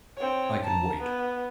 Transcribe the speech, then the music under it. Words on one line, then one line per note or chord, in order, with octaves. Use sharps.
I can wait.
C4 C#5
A5 A#5
B3